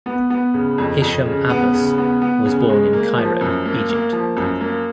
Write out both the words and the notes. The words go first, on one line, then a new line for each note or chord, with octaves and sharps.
Hisham Abbas was born in Cairo, Egypt.
B3
B3
C#3
F2
F2
C#3
B3
C#3
B3
B3
C#3
G#3
A#3
F3
F#2
A#3
A#3
F3
F#2
A#3